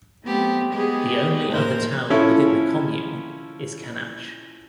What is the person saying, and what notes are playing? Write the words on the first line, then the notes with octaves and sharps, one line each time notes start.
The only other town within the commune is Canach.
F#3 A3 B3 C4 G4
G#3 B3 G4 G#4
D#2 A2 F3 A#4 C5 A#6
F3 C#4 E4 A4